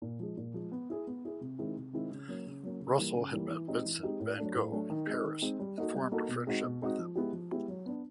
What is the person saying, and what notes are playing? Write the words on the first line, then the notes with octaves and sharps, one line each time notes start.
Russell had met Vincent van Gogh in Paris and formed a friendship with him.
A#2
F3 G#3
A#2
F3 G#3
B3
E4 G#4
B3
E4 G#4
C3
D#3 G#3 C4 E4
C3
D#3 G#3 C4 E4
C#3
F#3 A#3 C#4
C#3
F#3 A#3 C#4
C#3
E3 G3 A#3
C#3
E3 G3 A#3
E3
G#3 C4 D#4 G4
E3
G#3 C4 D#4 G4
A2
F#3 A3 D4
A2
F#3 A3 D4
D#3
G#3 C4 D#4
D#3
G#3 C4 D#4
G3
A#3 D#4 F#4 A4
G3
A#3 D#4 F#4 A4
B2
G#3 C4 D#4 F#4
B2
G#3 C4 D#4 F#4
F3
G#3 B3 E4 G4
F3
G#3 B3 E4 G4
F#3
B3 D4